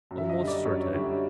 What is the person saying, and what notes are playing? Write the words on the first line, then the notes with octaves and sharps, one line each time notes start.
Almost certain.
F#2
E5
D#5
D3 G3
D5
F#2 C#5
D3 G3